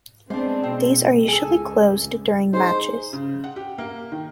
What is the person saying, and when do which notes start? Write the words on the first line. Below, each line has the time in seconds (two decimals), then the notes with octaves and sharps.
These are usually closed during matches.
0.30 G#3 B3 C4 D4 C5
0.63 B2 C4
1.28 C#2 G#4 A4 G#5
2.53 D#4 G#4 C5
3.13 C#3
3.44 F#5
3.56 G4
3.78 A#3
4.12 D#3